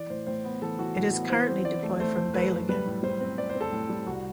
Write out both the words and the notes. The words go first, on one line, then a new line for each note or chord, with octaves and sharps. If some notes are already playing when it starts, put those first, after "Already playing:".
It is currently deployed from Beylagan.
Already playing: E3 D5
A2 C5
A2 C5
B3
E3 A4
E3 F#4
A2 F#4
B3
E3 C5
C4
E3 D5
A3
A3 C5
A3
A3 B4
F#2
G3 B4
A2
G3 C5
C4
C4 D5
C5
C4
A4
A2
G3
C2 F#4